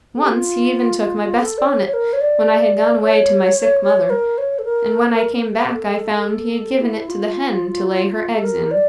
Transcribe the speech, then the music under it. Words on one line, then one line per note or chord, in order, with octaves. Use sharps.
Once he even took my best bonnet, when I had gone away to my sick mother, and when I came back I found he had given it to the hen to lay her eggs in.
A4
G4
F4
A4
D5
C#5
C#5
A#4
C#5
D5
C#5
A#4
C#5
A4
A#4
A#4
A4
E4
F4
A4
A#4
D5